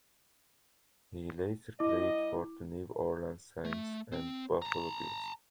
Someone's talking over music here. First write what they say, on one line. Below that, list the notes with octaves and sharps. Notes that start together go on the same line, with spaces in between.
He later played for the New Orleans Saints and Buffalo Bills.
G2 E4 D#5 D6
A3
C4
A5 A#5